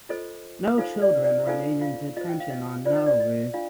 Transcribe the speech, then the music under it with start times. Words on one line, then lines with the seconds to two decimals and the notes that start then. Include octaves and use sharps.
No children remain in detention on Nauru.
0.09 F4 A4 C5 D#5
0.78 D#4 F4 A4 C5 F5
1.02 D5
1.24 D5
1.47 D#4 F4 A4 C5 F5
1.81 F4 F5
2.17 F4 C5 D#5
2.29 G5
2.40 F5
2.50 D#5
2.85 F4 C5 D5
2.96 D#5
3.06 D5
3.20 D#5
3.54 D4 F4 F5